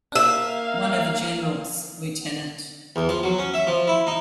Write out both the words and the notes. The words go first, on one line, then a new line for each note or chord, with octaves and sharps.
One of the generals, Lieut.
A#3 E5 F5
E2
F3
F#3
C#4
E5
F3
E4
D#4